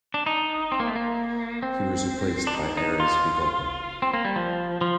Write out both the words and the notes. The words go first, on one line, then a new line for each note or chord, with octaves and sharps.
He was replaced by Erez Vigodman.
D4
D#4
C4
A#3
A3
A#3
C4
D4
D#4
D#4
F4
C4
A#3
G3
F3
F3